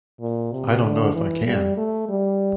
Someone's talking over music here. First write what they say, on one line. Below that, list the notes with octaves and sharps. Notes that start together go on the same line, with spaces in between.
I don't know if I can.
A#2
C3
D3
E3
G3
A3
G3